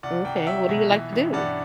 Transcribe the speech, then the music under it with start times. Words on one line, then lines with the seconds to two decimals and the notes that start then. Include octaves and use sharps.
M'kay, what do you like to do?
0.03 C2 D5 F#5
0.25 C2 G5
0.36 F#5
0.47 F#3 E5 G5
0.69 B2
0.91 E3
1.12 A1
1.33 G2 D5 F#5